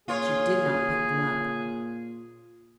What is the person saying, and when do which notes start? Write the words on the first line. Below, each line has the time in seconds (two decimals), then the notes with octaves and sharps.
She did not pick them up.
0.08 A#2 F4 G#4 C#5